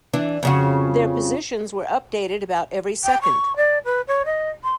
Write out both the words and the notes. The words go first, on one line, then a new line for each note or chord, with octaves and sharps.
Their positions were updated about every second.
E3 D4
F2 C#3 F#4
G5
C#6
D5
B4
C#5
D#5
C6